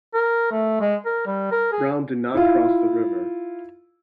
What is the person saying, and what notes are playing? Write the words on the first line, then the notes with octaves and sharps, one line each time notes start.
Brown did not cross the river.
A#4
A3
G#3
A#4
G3
A#4
G#4
E4 F4